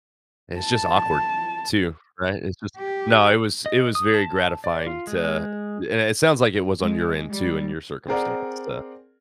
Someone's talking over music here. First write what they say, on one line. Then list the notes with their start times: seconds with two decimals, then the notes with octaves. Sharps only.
It's just awkward too. Right? It's just No, it was it was very gratifying to eh, and it sounds like it was on your end too in your circumstance, uh.
0.59 A5
2.78 G4
3.66 D#5
3.95 D#6
4.14 A5
4.64 D5
4.87 F4
5.07 G#3
6.81 G#3
7.30 G3
8.08 C4 G#4 A#4 D5 F#5